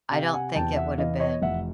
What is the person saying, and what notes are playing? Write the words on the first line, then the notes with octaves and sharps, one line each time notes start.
I don't think it would've been,
C3 F5 G5
F#5 G#5
E2 G5 A5
E5 F#5
E3 D#5 F5
C#5 D#5
F1 E5 F#5